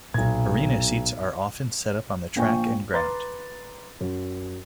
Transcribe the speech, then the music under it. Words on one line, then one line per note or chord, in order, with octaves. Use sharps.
"Arena seats" are often set up on the track and ground.
B1 A#2 B3 G#6
A#1 A#2 G5 G#5 C#6
B4 A#5 C6 D6 A6
F#2